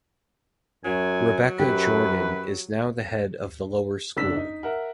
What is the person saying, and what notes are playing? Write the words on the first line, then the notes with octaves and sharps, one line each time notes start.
Rebekah Jordan is now the Head of the Lower School.
F#2 F#3 G#5
F#2 G4 B4
F#1 D4 E6 B6
D#4
A#4 E5 F#5